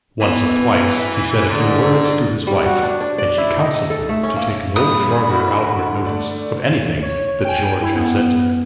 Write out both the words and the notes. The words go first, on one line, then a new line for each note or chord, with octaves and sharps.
Once or twice he said a few words to his wife, and she counselled him to take no farther outward notice of anything that George had said to him.
E3 B3
G#2 D3
G3
F#4
D4
D4
D5
E4
D#4
D#5
A4
A3
C#4
A#3
F2 A#2 G3 B5 D#6
D3 E4 F#4
A3 D5
C#5
G5 G#5
E4
F#2 B3